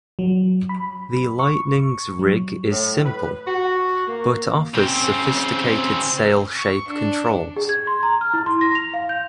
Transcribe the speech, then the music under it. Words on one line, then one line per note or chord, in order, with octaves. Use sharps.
The Lightning's rig is simple, but offers sophisticated sail shape controls.
F#3
B5
C#6
F#3
A2
B4
F#4
A#3
C#3 C4
C#6
D4
G#4
G#6
C6
A#5
F6
E4
C6
A#6
F7
F5
G6